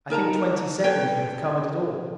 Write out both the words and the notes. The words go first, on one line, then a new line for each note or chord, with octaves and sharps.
I think twenty seconds would have covered it all.
D#4 A#4 A5 A#5
A4 B4 C#5 G5